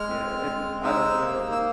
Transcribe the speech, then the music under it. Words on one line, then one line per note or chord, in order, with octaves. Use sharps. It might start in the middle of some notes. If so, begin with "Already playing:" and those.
Yeah, and, I don't know
Already playing: G#3 F6
C4
G#3
D#4 E6
A#3
E6